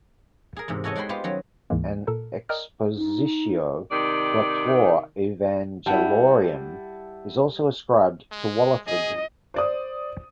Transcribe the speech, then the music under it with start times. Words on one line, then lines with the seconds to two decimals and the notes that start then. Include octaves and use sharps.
An "Expositio quatuor Evangeliorum" is also ascribed to Walafrid.
0.56 G#4 A#4
0.68 E2 G#2 C3
0.84 F#4 A4 C#5 D#5 G#5
0.96 G#3 F#4 G#4 G5 B5 C6
1.09 B3 F4 G4 C5
1.24 D#3 F#3 C#4
1.70 D2 G#2 E3 G#3 A#3
2.07 A#2 A4 A#4
2.49 A#4 D5 D#5 G5 D#6 F6
2.97 D#4
3.91 C3 D#3 D5
5.86 G3 E4 F#5 A5
8.31 G#3
8.87 G#4 D#5
9.54 C5 D5 D#6